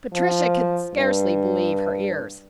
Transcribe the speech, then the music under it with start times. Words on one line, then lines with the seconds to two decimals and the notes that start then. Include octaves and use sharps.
Patricia could scarcely believe her ears.
0.13 F3
0.95 G2